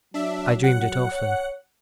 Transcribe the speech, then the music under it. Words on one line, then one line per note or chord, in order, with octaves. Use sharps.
I dreamed it often.
F#3 D4 E5
F#5
C#5